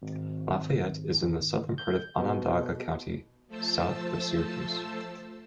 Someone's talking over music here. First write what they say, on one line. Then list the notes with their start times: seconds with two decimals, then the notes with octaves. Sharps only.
LaFayette is in the southern part of Onondaga County, south of Syracuse.
0.02 G#1
1.78 G6
2.18 B2
3.48 F3 A3 C5 A5 E6